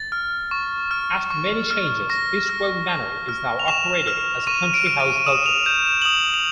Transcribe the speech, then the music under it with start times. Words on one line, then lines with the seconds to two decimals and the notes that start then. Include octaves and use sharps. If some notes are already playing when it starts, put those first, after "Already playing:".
After many changes, Eastwell Manor is now operated as a country house hotel.
Already playing: A6
0.12 F6
0.51 C#6
0.91 F6
1.31 C#6
1.71 F6
2.10 C#6 A#6
2.49 F6
2.89 C#6
3.29 F6
3.59 F7
3.68 C#6 E7
4.07 F6
4.47 C#6 D#7
4.74 D7
4.87 F6
5.00 D#7
5.18 D#7
5.26 D#6 E7
5.46 F7
5.66 G6 E7
5.86 E7
6.02 F#7
6.05 D#6 F7
6.34 F7